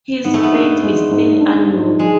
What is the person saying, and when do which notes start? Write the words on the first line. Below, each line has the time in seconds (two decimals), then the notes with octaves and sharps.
His fate is still unknown.
0.24 G#2 B3
0.34 A3
0.43 B3
0.53 D4
0.83 G#3
1.11 G#2
1.40 D4
1.71 G#2
1.99 G#3